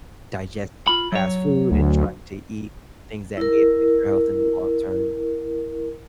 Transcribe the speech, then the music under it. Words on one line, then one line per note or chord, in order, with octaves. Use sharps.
digesting fast food and trying to eat things that may affect your health in the long term.
F4 B5
F#3 C#5
D2
E4 A#4